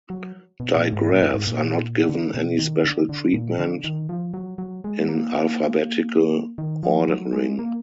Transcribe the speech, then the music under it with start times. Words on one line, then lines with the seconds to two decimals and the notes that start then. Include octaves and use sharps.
Digraphs are not given any special treatment in alphabetical ordering.
0.10 F#3
0.60 B2
0.76 A#2
0.93 G#2
1.09 A#2
1.22 F#2
1.34 G#2
1.47 A#2
2.09 D3
2.34 B2
2.59 D#3
2.85 D3
3.09 D3
3.34 A#2
3.58 D3
3.84 D#3
4.09 F3
4.34 F#3
4.58 F#3
4.84 G#3
5.08 A#3
5.34 A#3
6.58 D#3
6.83 F3
7.09 F#3
7.33 G#3
7.59 A#3